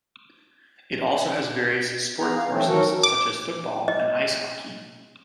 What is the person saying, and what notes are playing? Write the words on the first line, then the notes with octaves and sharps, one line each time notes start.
It also has various sport courses such as football and ice hockey.
B3 G#4 A#5
F5
E3 A3 C4 C#4
D#3 F#3 C#4 F#4 A4 A#4
D6
D#5